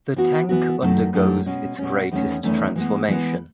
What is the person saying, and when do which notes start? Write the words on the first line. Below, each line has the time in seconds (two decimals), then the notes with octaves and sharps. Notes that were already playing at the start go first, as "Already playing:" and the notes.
The tank undergoes its greatest transformation.
0.16 E3 B3 F#4
0.49 E3 B3 F#4
0.82 F#2 D#3 A3 E4 A4
1.14 F#2 D#3 A3 E4 A4
1.46 B2 G#3 C#4
1.78 B2 G#3 C#4
2.11 E2 D#3 A3 C#4
2.43 E2 D#3 A3 C#4
2.76 E3 G#3 B3
3.08 E3 G#3 B3